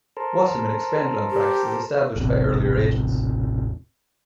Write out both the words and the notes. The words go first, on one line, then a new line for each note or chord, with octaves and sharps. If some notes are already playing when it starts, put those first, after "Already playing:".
Wasserman expanded on practices established by earlier agents.
A4 A#4 C5
G4
E1 A1 C3